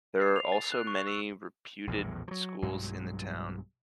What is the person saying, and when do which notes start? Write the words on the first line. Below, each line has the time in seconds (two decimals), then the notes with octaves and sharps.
There are also many reputed schools in the town.
0.22 C7
0.36 F7
0.52 A6
0.72 F#6
0.87 C#6
1.07 E6
1.87 A#1 E2 A2
2.28 F3 F#3
2.62 B1 G2 F#3 G#3